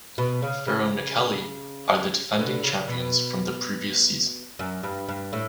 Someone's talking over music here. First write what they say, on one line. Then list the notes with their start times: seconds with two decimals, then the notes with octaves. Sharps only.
Feronikeli are the defending champions from the previous season.
0.18 B2
0.42 C#3
0.67 C#3
2.38 B2 D3
2.63 C#3
2.88 B2
4.59 F#2
4.83 G2
5.09 G2
5.33 A2